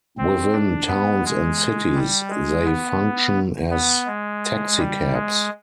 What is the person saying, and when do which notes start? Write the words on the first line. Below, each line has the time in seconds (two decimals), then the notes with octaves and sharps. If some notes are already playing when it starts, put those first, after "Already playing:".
Within towns and cities, they function as taxicabs.
0.18 C4
0.52 D4
0.87 B3
1.24 G#3
1.95 G3
2.29 G#3
2.65 B3
3.71 B3
4.06 G#3
4.78 G3
5.12 G#3